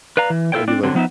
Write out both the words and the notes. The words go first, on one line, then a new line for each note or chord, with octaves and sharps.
Are you like
B4 D5 F5 A#5
E3
E4 F4 A4 C5 C#5 G5
C4 D4 D5
D3 F#3 C4
F3 B3 D#4 E5